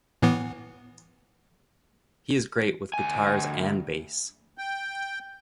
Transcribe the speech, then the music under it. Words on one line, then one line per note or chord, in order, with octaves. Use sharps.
He is great with guitars and bass.
A2 E3 B3
D2 G#5
G5